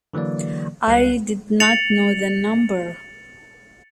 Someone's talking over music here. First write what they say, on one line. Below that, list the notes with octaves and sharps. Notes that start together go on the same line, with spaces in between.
I did not know the number.
D3 E3 F#3 A#3 D5
C#2 G3 F#6 C7
A6 C#7 F7 F#7